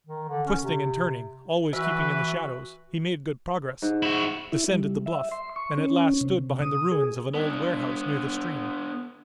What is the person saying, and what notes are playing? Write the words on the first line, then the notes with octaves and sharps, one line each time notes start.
Twisting and turning, always keeping in the shadows, he made good progress, descended the bluff, and at last stood behind the ruins of an old warehouse near the stream.
D#3
D3
C#4
C3
E3 F#4 B4 E5
G#2
E4 F#4
E4
G3
E5
C6
C#6
C#4
C3
D#6
G#4
B3 D4